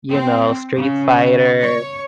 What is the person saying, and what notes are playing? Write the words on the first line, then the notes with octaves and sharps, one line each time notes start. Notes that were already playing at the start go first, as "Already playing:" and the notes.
you know, Street Fighter,
C4
C#3
C#5